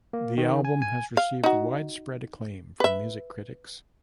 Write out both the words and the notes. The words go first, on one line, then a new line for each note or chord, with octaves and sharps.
The album has received widespread acclaim from music critics.
A#3
D#3
G#5
G#5
F5
D#4 F#4
B4 E5